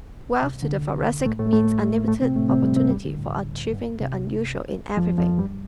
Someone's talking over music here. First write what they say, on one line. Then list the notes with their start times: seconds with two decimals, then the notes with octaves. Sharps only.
Wealth to the Thoracic means unlimited opportunity for achieving the unusual in everything.
0.42 C2 C3
0.62 D2 D3
1.26 A2 A3
1.39 A2 A3
1.53 A2 A3
2.07 A2 A3
2.22 C3 C4
2.36 A2 A3
2.49 C3 C4
2.63 G2 G3
2.76 C3 C4
2.90 G2 G3
3.05 D2 D3
3.18 A2
3.74 G2
4.01 C2 C3
4.97 F2 F3
5.17 F2 F3
5.38 G2 G3